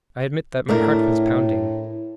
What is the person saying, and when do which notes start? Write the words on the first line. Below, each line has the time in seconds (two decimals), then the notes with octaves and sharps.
I admit that my heart was pounding.
0.68 A2 A3 D4 A#4